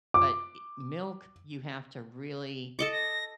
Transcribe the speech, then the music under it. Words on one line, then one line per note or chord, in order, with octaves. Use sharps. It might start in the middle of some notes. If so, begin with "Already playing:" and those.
But, eh milk, you have to really
D6
A4 D#5 D6 C#7
A#6